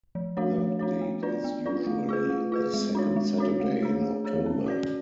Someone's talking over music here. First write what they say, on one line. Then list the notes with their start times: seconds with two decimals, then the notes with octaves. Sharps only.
The date is usually the second Saturday in October.
0.15 F3
0.37 A3 D4 F#4 C#5
0.58 F3
0.79 A3 D4 F#4 C#5
1.01 B3
1.23 D4 F4 B4 D5
1.44 B3
1.66 D4 F4 B4 D5
1.87 A3
2.09 F4 G#4 B4
2.30 A3
2.52 F4 G#4 B4
2.74 G#3
2.95 D4 F#4 C#5
3.16 G#3
3.38 D4 F#4 C#5
3.60 A3
3.80 D4 G#4 C#5
4.02 A3
4.24 D4 G#4 C#5
4.46 C#4
4.66 F#4 B4 D5